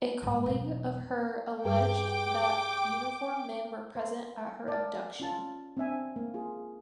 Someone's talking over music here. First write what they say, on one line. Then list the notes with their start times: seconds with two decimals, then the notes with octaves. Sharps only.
A colleague of her alleged that uniformed men were present at her abduction.
0.22 G#2 G3
0.46 E1 F#3
1.64 G2 G#4 G5 G#5 D6
3.95 B4 C5
4.67 A#4 D5 A5
5.20 C#4 F4 A5
5.77 C4 D4 E5 G#5
6.16 A#3
6.34 F4 G#4